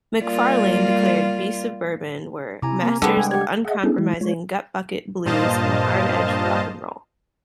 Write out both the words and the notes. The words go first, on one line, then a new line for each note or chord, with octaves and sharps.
McFarlane declared Beasts of Bourborn were "masters of uncompromising gutbucket blues and hard-edged rock'n'roll".
G3 A#3 F4 D5
C3 E4 G#5 A#5 D6
A#3
D3 G3 B3 D4 G#4 A4 G5
G#3 G#5
G4 F#5 G#6
G#4 D#5 E5 F#5
B3 C#4 D4 E4 G#4 A4
E3 G#3 E4
G#3 F4 C#5
G2 A#2 C5 D#5 F5 A5